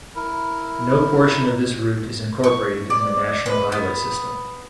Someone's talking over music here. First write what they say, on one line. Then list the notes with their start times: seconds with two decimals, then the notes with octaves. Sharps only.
No portion of this route is incorporated in the National Highway System.
0.16 E4 A#4
2.44 C#6
2.90 D5
3.46 B4
3.72 B3